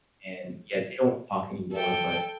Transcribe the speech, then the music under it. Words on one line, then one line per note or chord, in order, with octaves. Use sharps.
and yeah, they don't talk anymore, but,
A4 G5